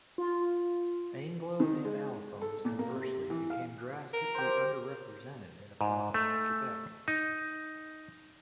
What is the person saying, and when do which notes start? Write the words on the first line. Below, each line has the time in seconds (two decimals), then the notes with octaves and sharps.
Anglo and Allophones, conversely, became drastically under-represented in the province of Quebec.
0.18 F4
1.60 D#3
1.85 G#3
2.41 A4
2.65 A#2
2.79 A#3
2.95 C3
3.30 E3
3.50 F5
4.13 A#4
4.34 G4 C5
5.81 G#2
6.14 A3
7.08 D#4